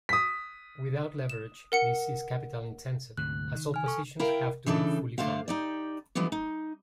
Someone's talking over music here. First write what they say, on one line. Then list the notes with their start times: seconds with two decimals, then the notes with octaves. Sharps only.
Without leverage this is capital intensive as all positions have to be fully funded.
0.09 D#6 B6
1.30 E7
1.72 A#4 F#5 C#7
3.17 D2 G#2 C3 F#6
3.55 D#3
3.74 G#5 F6
3.86 A4 C#6
4.19 E4 A#4 F5 G5
4.66 C#3 E3 D4 D#4 A4
5.18 D3 A3 C5 F5
5.48 D#4 G4 D5
6.15 D3 E3 F3 G3 G#3 B3
6.32 D#4